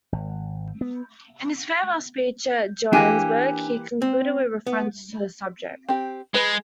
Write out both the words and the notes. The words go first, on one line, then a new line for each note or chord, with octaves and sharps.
In his farewell speech at Johannesburg he concluded with a reference to the subject.
G#1
B3
E3 A#3 D4 G4 G#5
C4
B3
C4 G4
G#3 B4 B5